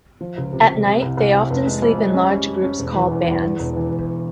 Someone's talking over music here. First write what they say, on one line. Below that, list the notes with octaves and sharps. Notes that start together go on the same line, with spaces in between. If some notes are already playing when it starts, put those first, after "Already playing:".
At night, they often sleep in large groups called bands.
F3
C#2
C3
C3
C3
C2
C2
C3
F1
G#3
F2
G#3
C#4
G3
G3
C#4
E1
E3
E2
E2
E2
E1
E3
E1